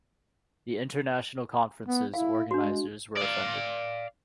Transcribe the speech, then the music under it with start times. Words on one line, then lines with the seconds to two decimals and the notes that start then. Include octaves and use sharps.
The international conference's organizers were offended.
1.86 B3
2.14 E4 F5
2.51 G#3 D4 F#4
3.18 D5 F5